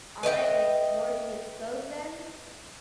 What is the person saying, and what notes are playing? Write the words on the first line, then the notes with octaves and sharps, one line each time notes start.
All right, like, "Lord, you expose them,
B4 D#5 E5 G5